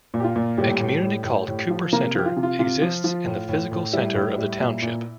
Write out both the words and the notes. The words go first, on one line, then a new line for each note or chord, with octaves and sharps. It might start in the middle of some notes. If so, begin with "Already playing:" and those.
A community called Cooper Center exists in the physical center of the township.
A#2
G4
F4
A#2
A2 G3 G4
A2
A2
A2
A2
F3
C3 A#3 A#4
F3 G4
F4
C3
F4
C3 F4
F3
F3
A2
A2
A2
G3 E4
A2
G3
A#2
A#2